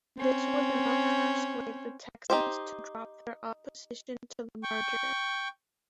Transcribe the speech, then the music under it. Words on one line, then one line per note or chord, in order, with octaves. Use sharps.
This was enough to persuade the Texans to drop their opposition to the merger.
C4 C#4
D#4 G4 C5
G5 C#6